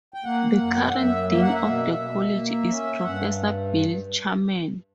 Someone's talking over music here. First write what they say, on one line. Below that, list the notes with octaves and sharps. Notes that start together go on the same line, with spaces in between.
The current Dean of the College is Professor Bill Charman.
G5
A#3 F#5
F#2
G5
F#5
F#2 E5
A#3 E5
F#5
E5
B2
B2
A#3
C#4
G2 F#5